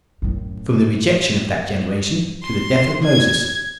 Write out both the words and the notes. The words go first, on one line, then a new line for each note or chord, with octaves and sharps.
From The Rejection Of That Generation To The Death Of Moses.
F#2 A2
C6
G#6